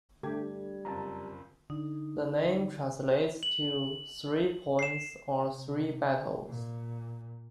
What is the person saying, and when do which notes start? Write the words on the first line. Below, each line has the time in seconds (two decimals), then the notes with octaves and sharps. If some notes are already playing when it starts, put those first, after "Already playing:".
The name translates to "three points" or "three battles".
0.23 D3 G3 A3 G4 G#6
0.85 F#1 F2 A5 A#5
1.70 D3 D#4
3.43 F#7
4.79 C7 E7
5.42 C3
6.47 A#2